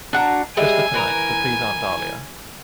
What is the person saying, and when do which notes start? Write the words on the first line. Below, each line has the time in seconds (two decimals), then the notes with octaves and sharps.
Just for tonight, to please Aunt Dahlia?
0.13 D4 F#4 A#5
0.57 G3 G#3 E5 G#5
0.94 E3 A#4 A#5